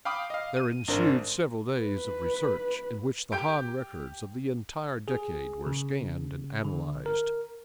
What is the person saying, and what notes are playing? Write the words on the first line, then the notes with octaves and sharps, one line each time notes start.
There ensued several days of research, in which the Han records of the entire decade were scanned and analyzed.
F5 G5 B5 D6 D#6
D#5 F5
D#7
G#1 D4 A#4 C5
B4
G4 G6 D7
G#4
C#3
D3
A#4